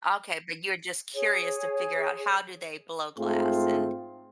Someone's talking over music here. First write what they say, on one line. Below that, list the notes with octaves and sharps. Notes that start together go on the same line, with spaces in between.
Okay, but you're just curious to figure out how do they blow glass and
G#4 C#5
G#2 A3 C4 F4 G#4